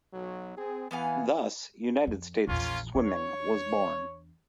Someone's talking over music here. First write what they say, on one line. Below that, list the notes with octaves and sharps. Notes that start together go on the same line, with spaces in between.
Thus, "United States Swimming" was born.
B1 F#3
C4 G#4
E3 B3 F5 G#5
F2
A#1 E2 A#3 C#4 F4
E2 D4 C#5